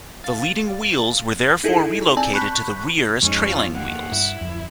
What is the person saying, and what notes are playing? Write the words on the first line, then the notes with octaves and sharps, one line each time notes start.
The leading wheels were therefore relocated to the rear as trailing wheels.
F5 A6
D#4 E4 G#4 A4
C4 D5 G#5 A5
A5 B5 C#6 F#6 G6 B6
F2 G#3 C#4 D#4
F4
A#3 G4 F#5
G2 E4
D1 F2